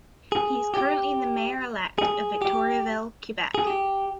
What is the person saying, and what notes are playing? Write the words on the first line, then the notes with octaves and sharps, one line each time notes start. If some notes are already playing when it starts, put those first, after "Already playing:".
He is currently the mayor-elect of Victoriaville, Quebec.
G#4
G4
G#4
G4
G#4
G4